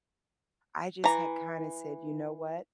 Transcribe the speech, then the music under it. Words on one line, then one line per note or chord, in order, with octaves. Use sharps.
I just had kinda said, "You know what"
E3 A#5